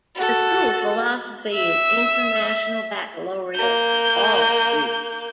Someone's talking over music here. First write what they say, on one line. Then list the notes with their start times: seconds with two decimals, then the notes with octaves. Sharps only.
The school philosophy is International Baccalaureate for all students.
0.16 F#4 A4
1.56 E5 E6
3.54 A#3 G6